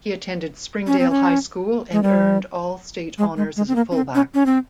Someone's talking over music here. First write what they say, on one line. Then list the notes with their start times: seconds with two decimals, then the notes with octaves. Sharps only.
He attended Springdale High School and earned all-state honors as a fullback.
0.87 C#4
0.99 C4
1.10 C#4
1.92 G#3
2.03 G3
3.18 G#3
3.37 G#3
3.57 G#3
3.68 C4
3.76 A#3
3.91 C#4
3.95 C4
4.15 C#4
4.34 C#4
4.46 C4